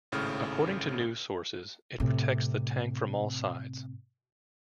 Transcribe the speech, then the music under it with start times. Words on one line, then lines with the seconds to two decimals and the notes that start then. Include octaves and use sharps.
According to news sources, it protects the tank from all sides.
0.12 G#1 A2 C#3 F6
2.00 A2 C3